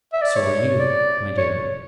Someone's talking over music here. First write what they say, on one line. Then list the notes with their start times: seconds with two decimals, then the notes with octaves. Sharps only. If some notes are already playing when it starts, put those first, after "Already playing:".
So are you, my dear.
0.13 E5
0.21 D5
0.36 C#5
0.79 D5
1.37 C#5